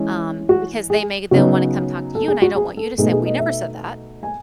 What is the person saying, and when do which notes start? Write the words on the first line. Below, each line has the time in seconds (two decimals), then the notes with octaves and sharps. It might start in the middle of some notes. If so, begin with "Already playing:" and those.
um, "because they may they'll wanna come talk to you and I don't want you to say, 'We never said that.'"
Already playing: E3 G#3 C#4
0.49 F#4
0.90 G#4
1.31 C#3 F#3 B3 D#4 F#4
2.15 A4
2.28 G#4
2.42 F#4
2.56 G#4
2.77 A4
2.98 B2 A3 D#4 G#4
3.12 G#4
3.26 D#5
3.39 E5
4.23 G#5